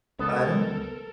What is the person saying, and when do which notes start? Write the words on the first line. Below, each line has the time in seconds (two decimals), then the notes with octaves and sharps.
I know.
0.19 C#2 B3 A4 A#4